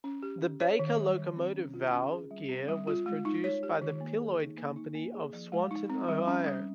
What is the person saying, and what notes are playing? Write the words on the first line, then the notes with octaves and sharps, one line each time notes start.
The Baker Locomotive Valve Gear was produced by the Pilliod Company of Swanton, Ohio.
C#4
G4
C#4
C#5
D#3
G3
D#3
C4
C#4
F4
C#4
G#4
G3
C4
G3
F4
G#3
D#4
C#5
G4
D#3
A#3
G#4
D#4
A#3
D#4
A#3
G#4
F3
G#3
D#4
C4
G3
C#4
G3